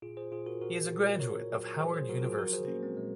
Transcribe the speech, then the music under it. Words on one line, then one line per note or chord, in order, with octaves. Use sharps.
He is a graduate of Howard University.
A#2 F4 G#4
G#4 C5
A#2 F4 G#4
F#4 A#4
A#2 F#4 A#4
A#2
A#2 A#4 C#5
F#3
F#3 G#4 C5
G#4 C5
F#3 F#4 A#4
F4 G#4
F3 F#4 A#4
G#4 C5
A#2 A#3 C#4
G#3 C4
A#2 G#3